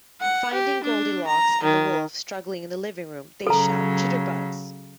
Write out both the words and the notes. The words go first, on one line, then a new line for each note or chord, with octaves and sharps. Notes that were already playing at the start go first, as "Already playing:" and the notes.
Finding Goldilocks and the wolf struggling in the living room, they shout Jitterbugs!
F#5
G4
D4
A#5
D#3
C#3 F#3 A4 A#5